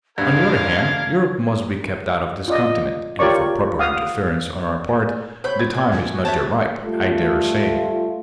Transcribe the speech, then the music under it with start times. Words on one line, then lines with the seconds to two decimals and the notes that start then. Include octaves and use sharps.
On the other hand, Europe must be kept out of this continent, and for proper interference on our part the time is not yet ripe, I dare say.
0.18 D2 G2 D4 A#4 F5 G#6
2.48 F4 D5 D#5
3.19 F4 G4 A#4 C#5 D5 C#6
3.79 F5 F#5 D#6
5.44 C5 C#5 B5 G6
5.59 G#6
5.74 D5 G#5
5.92 E2 A#2 F3
6.12 F#4
6.25 F#4 C5 C#5 E5 A5
6.85 G3 A3 F4